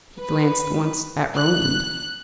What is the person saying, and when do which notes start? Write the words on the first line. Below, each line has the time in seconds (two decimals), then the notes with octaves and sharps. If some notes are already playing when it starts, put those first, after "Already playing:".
He glanced once at Roland.
0.19 B4
1.36 F#6